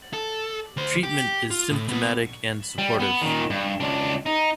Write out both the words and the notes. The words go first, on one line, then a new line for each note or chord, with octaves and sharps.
Treatment is symptomatic and supportive.
A4
D2 C5
G4
F4
A2
C2 B3
G3
B3
A#2 D#3
G2
C#2 D4
D#4